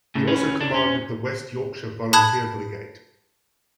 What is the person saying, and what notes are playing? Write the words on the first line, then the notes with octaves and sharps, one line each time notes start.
He also commanded the West-Yorkshire Volunteer Brigade.
A2 C#3
C#4 B4
D4
C#4
A5 B5 D#6 F#6 G#6